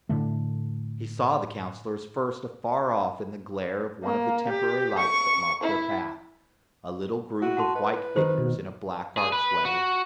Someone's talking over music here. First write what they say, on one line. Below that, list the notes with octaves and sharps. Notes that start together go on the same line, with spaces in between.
He saw the Councillors first afar off in the glare of one of the temporary lights that marked their path, a little group of white figures in a black archway.
A2 D3 A3
A#3
G4
C#6
E4
E4 F#4 D#7
F#5 A5 C6
B4 D#5
D#3 C5
B2
G#4
B4
F#4